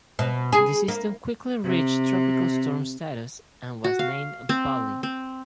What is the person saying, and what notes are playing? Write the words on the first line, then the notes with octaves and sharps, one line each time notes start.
The system quickly reached tropical storm status and was named "Pali".
B2
G#4
A#3
C3
F#4
F5
C4
C4